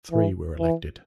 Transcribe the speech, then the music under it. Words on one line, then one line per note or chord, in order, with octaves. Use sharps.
Three were elected.
E3
E3